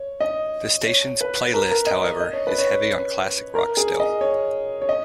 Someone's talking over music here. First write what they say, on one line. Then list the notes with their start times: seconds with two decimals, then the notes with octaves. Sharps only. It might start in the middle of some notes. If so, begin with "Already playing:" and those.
The station's playlist, however, is heavy on classic rock still.
Already playing: C#5
0.20 D#5
0.86 C#5
1.21 B4
1.54 A#4
1.71 A#4
1.87 D#5
2.04 D#5
2.20 D#5
2.33 C#5
2.47 B4
2.58 C#5
3.55 A#4
3.77 G#4
4.00 D#5
4.21 C#5
4.82 C#5
4.89 D#5